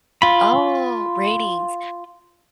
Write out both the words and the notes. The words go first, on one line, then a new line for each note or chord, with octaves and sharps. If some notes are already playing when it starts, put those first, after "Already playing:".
Oh, ratings.
F4 B5